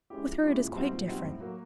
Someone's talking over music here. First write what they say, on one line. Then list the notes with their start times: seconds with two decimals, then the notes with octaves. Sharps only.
With her it is quite different.
0.10 G#3 C#4 E4 G4
0.26 F3
0.43 G#3 C#4 E4 G4
0.59 A#2
0.75 G3 C4 D#4 F#4
0.92 A#2
1.08 G3 C4 D#4 F#4
1.24 A2
1.40 F#3 A#3